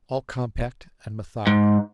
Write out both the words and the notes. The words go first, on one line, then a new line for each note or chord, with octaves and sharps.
All compact and methodical.
G#2